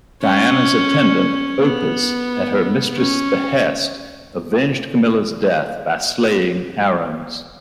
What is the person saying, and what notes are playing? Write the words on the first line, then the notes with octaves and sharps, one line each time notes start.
Diana's attendant, Opis, at her mistress' behest, avenged Camilla's death by slaying Arruns.
C#4
B3
C#4